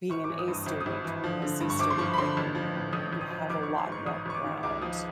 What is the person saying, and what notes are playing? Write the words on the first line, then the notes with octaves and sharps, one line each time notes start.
being an A student to being a C student, like, you you have a lot more ground
G#1 C#6
D6
E3
D#6
G2
D#6
G#1
D#6
G#1
E3
F3
D3
G2
C#6
G#1 D6
C6
F3 C#6
B5
D3 C6
A1
F3
A2
A1 D#6
A1
D#6
F3
A1 D6
D#3 C#6
C6
G#2
C#6
A1 D#6
A1 C#6
D6
D#3
C#2 D6
F3 D#6